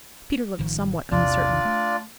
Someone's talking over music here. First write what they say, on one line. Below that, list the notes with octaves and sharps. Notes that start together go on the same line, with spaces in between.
Peter looked somewhat uncertain.
A1 D#3 F3
A#1 E2 C3 D4 F4 D5
A3